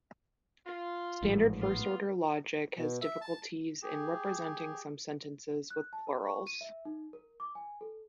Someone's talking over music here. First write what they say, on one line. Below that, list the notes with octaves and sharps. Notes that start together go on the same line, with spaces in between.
Standard first order logic has difficulties in representing some sentences with plurals.
F4
A1 G#2 F3
B3 F4
B2
E5
A5
G4 G#4
F#6
A5
A#4
C#6
D#7
E5
D#4
A#4
D6
G#5
A4